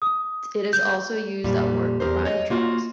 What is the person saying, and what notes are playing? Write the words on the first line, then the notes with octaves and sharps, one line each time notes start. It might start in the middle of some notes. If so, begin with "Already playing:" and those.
It is also used at war crime trials.
D#6
G6
F2 A#2 G3
E2 G4 G#4 A#4 C5
C#5 D#5
A#3 F4 F#4